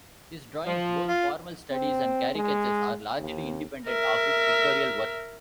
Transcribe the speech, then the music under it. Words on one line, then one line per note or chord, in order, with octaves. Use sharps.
His drawings, both formal studies and caricatures, are largely independent of his pictorial work.
F3
F4
C4
G#3
D#2
A#4 E5